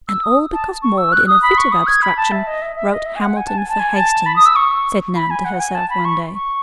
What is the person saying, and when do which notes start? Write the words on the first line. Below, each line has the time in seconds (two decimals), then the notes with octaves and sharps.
"And all because Maude in a fit of abstraction wrote 'Hamilton' for 'Hastings,'" said Nan to herself one day.
0.08 E6
0.23 D#6
0.53 A5
0.82 C#6
0.98 E6
1.12 F#6
1.28 D#6
1.42 B5
1.58 C#6
1.72 D#6
1.87 G#6
2.02 B5
2.17 A5
2.32 E5
2.47 D#5
2.62 E5
2.76 E5
2.92 D#5
3.06 E5
3.16 G#5
3.21 F#5
3.37 G#5
3.47 A5
3.58 G#5
3.69 A5
3.80 G#5
3.96 A5
4.26 B5
4.36 D#6
4.46 E6
4.56 C#6
5.15 B5
5.30 G#5
5.45 F#5
5.60 G#5
5.75 A5
5.90 B5
6.05 C#6
6.35 C#6